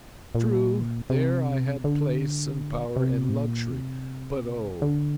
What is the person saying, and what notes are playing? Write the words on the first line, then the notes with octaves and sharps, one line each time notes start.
True, there I had place and power and luxury, but oh!
A#2
C3
D3
C3
G#2
A#2
C3
D3